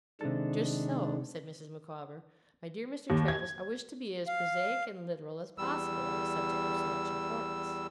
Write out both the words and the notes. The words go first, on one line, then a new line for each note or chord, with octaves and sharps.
'Just so,' said Mrs. Micawber, 'my dear Mr. Traddles, I wish to be as prosaic and literal as possible on a subject of so much importance.'
C3 D#3 G#3 D4 A4
D#2
G#6
F5
E2 G3 E6